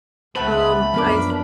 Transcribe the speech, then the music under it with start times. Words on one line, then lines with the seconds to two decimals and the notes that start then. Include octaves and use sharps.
Um, I
0.36 C#2 A3 B3 B4 C5 B5
0.94 F#2 F3 B3 C#4 D4 A#4 B4 D6